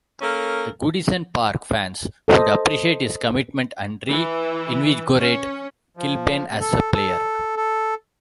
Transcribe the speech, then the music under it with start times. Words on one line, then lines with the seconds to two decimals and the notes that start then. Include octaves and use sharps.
The Goodison Park fans would appreciate his commitment and re-invigorate Kilbane as a player.
0.21 A#3 C#4 A4 A#4
2.28 A4 C5 D#5
4.08 E3
5.18 C#4
5.97 F3
6.49 C3
6.61 A4
6.93 A4
7.56 A4